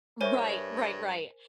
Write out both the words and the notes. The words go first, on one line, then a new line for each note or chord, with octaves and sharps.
Right, right, right.
G2 A#4 C5 C#5 E5 G#5 C#6